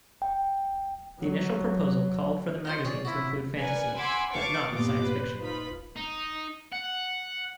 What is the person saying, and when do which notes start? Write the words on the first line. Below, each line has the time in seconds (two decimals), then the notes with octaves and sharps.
The initial proposal called for the magazine to include fantasy, but not science fiction.
0.22 G5
1.21 F#3
2.65 D#4 F4 C5
2.85 G#4 C#5 D5
3.05 F3 E4 F#4
3.58 A#4 B4 D5 F#5 G#5
3.98 F#5 G#5 B5 C6 D6 E6
4.33 B4 F5 A5 C#6 D6 A6
4.68 G2 A#2 G3 B3 F4 D6
5.03 B4 C5
5.40 D#4 F4 B4 B5
5.96 D#4
6.73 F#5